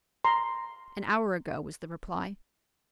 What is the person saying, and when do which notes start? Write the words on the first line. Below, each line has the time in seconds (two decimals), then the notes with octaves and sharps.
"An hour ago," was the reply.
0.25 A#5 C6